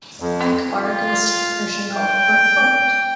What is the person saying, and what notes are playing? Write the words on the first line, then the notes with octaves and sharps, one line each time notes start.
Akbar goes to the Persian Gulf for employment.
F2
F4
G5